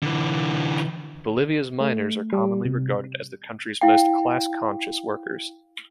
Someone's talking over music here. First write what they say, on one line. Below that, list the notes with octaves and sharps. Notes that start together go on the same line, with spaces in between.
Bolivia's miners are commonly regarded as the country's most class-conscious workers.
D3 E3
A3
G3
C3
E4 F5 G5